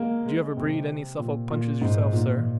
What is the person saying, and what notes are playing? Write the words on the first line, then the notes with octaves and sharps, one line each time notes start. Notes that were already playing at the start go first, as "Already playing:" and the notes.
Did you ever breed any Suffolk Punches yourself, sir?'
Already playing: G#3 A#3
G#3
C3
A#2
A#2
G#2
A#2